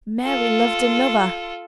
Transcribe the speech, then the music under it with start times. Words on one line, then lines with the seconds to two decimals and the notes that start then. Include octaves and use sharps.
Mary loved another!
0.23 F4 A4